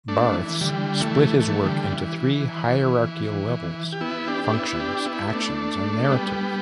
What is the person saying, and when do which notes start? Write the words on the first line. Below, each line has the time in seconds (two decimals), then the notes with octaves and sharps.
Barthes split this work into three hierarchical levels: 'functions', 'actions' and 'narrative'.
0.08 A3 D4
0.35 E3
0.61 D3 G3
1.00 E3 A3
1.40 E3 A3
1.65 D3 G3
1.92 E3
3.92 G4
4.01 B3 E4
4.28 D4 G4
4.44 D4
4.53 B3 E4
4.80 D4 G4
5.06 B3 E4
5.32 A3 D4
6.10 G3 B3